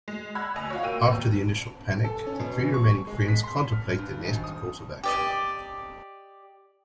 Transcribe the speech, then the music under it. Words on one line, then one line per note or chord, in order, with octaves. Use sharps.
After the initial panic, the three remaining friends contemplate their next course of action.
G#3
F#5 B5 E6 F#6 G#6
D2 D#5 G#5 F7
F4 F#4 C#5
A#3 G5 E6 D#7
D#2
A4
C#4
B2
E3
C#6
G#3
B6
C6
F6
G2
G#1
D#6
G4 D5 D#5